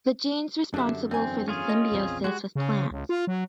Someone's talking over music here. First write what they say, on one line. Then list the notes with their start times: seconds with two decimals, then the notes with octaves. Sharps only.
The genes responsible for the symbiosis with plants.
0.74 F#2 D3 D4 G4 E5
1.11 E2 C4 G#5
1.48 C#4 F4 G#4
1.69 D#5
1.92 A#1 E2 C4
2.24 G3 G#3 F#4
2.56 C#3
2.91 C#2
3.09 F4
3.27 F#3